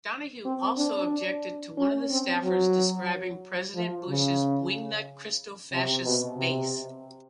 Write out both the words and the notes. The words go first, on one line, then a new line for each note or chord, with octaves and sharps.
Donohue also objected to one of the staffers describing President Bush's "wingnut Christofacist base".
C4
D4
C#4
C4
F#3
F3
C#3
C3
B2
C3